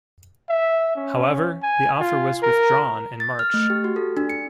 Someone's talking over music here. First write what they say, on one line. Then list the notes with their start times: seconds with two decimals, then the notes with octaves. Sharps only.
However, the offer was withdrawn in March.
0.49 E5
0.96 C#4
1.63 G#5
2.00 F4
2.42 A#4
3.20 A6
3.39 F6
3.54 A3
3.70 G4
3.84 F#4
3.96 A4
4.17 D4
4.29 C#7